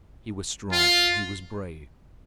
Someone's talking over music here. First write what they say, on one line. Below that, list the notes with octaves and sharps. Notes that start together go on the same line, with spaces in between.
He was strong. He was brave.
F4